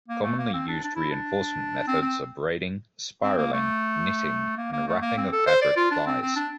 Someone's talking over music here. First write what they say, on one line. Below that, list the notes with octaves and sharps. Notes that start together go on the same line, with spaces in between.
Commonly used reinforcement methods are braiding, spiraling, knitting and wrapping of fabric plies.
A#3
A3
A#3
C4
D4
D4
E4
D4
C4
C4
C4
A#3
A3
A#3
A#3
A3
A#3
C4
A4
C5
D5
F4
D4
C4
C4
D4